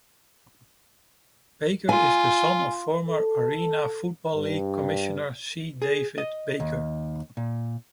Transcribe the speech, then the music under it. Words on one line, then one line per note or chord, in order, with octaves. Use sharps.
Baker is the son of former Arena Football League commissioner C. David Baker.
F4 G#5
A4
G2
G#4
D#5
D#2
A#2